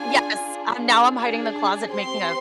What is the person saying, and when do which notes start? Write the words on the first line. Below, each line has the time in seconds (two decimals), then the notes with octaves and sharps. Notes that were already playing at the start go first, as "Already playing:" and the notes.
Yes, I'm now I'm hiding in the closet making a
Already playing: D4 F4 G#4 G#5
0.33 D4 F4 G#4
1.13 D4 G#4
1.93 C4 G4 C6